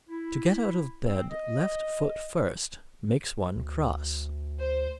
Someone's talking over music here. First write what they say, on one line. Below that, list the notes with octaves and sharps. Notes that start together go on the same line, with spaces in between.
To get out of bed left foot first makes one cross.
E4
C4
D#5
D2
C5